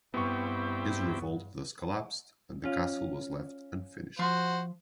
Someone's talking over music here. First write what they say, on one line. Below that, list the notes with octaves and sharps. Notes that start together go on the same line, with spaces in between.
His revolt thus collapsed and the castle was left unfinished.
G2 B3 C4 E4 G4 C#6
C#4 F4
F3 F#4 C5 C6